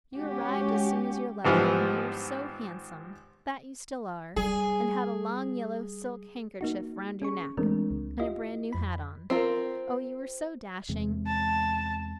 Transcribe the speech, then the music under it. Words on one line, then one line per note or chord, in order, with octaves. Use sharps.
You arrived as soon as your letter, and you were so handsome--that you still are--and had a long yellow silk handkerchief round your neck, and a bran new hat on; oh, you were so dashing!
G#3 C#4 F#4 G4
G#1 G#2 E3 F3 G3 B3
G3 G#4
A#3 D#4 F#4
C#4 G#4 C#6
E3 G#3 A3 C4 D4 A#4
C#2
E4 F4 G4 D#5
F2 B5
C4 F4 A#4
E2 C3 G#3
A5